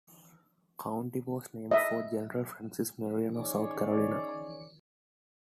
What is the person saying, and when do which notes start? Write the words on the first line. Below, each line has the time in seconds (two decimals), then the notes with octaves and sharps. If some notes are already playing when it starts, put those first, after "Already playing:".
The county was named for General Francis Marion of South Carolina.
1.71 D#5 E5
3.34 C#4 D#4 G#4 C#5 D5